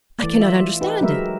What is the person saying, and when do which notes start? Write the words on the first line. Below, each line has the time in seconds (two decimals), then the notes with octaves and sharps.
I cannot understand it.
0.20 E3 A3 D5
0.38 F4 E5
0.81 D#4 G4 B4
1.01 F#3 G#3 A#4 E5